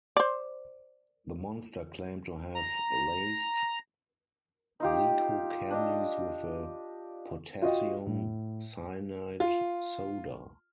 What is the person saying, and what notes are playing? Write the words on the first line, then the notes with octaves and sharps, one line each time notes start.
The Monster claimed to have laced Glico candies with a potassium cyanide soda.
C5 D5
A#5
D#4 F4 G4
D4 D#5
F4 F#4 D#5 G5
A2
F4